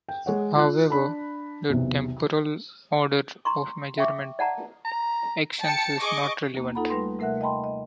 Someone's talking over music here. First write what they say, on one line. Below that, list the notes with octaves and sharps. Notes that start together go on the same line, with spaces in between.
However, the temporal order of measurement actions is not relevant.
G5
G#3 C#5 F#5
F4 F#6
D4 B5
B1 E2 C3
A#5 C6 C#6
E5 G5 C#6 D6
D5 F#5 A5 A#5
A#5
G5 A5 C#7
G#4 D#5 C#6 D6
D#2 A#3
D#4 F4 A4 F#5 A#5 B5
G3 A3 B4 C6
C3 A3 A#4 E5 F#5 F#6
D#5 G5 A5 B5 C6
D#5